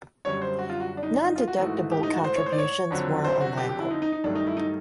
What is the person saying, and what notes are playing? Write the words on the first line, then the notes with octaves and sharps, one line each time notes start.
Non-deductible contributions were allowed.
F#2 D3 G3 C#5
C5
F#4
F4
F#4
D4
D#4
D4
D#4
F4
F#4
G#2 E3 A3
G4
D#4
F#4
C5
C#5
C5
D5
C#5
F2 D3 F#3
C5
F#4
G4
G4
E4
D#4
D#4
D#4
G2 D#3 F#3 A3 D4
D#4
E4
D#4